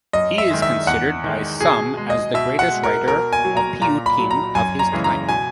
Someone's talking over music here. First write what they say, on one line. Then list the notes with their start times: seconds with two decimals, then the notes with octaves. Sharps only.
He is considered by some as the greatest writer of piyyutim of his time.
0.13 F#2 D#5
0.38 E5
0.50 D#3 G#3
0.62 E5
0.87 E2 F#5
1.24 D#3 G#3
1.60 B2 G#4
1.97 G#3
2.10 D#5
2.34 B2 E5
2.59 F#5
2.71 G#3
2.83 A#4
3.08 B2 A#4
3.33 G#5
3.45 F#3
3.57 A#5
3.81 A#2 A#5
4.06 B5
4.19 F#3
4.31 A#5
4.55 F#2 G#5
4.79 A#5
4.92 C#3 E3 G#3
5.04 A#5
5.29 B2 G#5